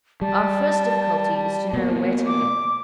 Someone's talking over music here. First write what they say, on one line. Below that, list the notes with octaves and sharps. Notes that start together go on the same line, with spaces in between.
Our first difficulty is to know where to begin.
G3 A5
B2 A#3
D6